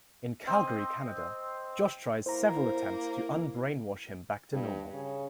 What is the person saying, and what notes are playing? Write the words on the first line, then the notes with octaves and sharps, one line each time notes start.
In Calgary, Canada, Josh tries several attempts to unbrainwash him back to normal.
C4 D#5
A#3 E4 C5 A#5
G2
C#3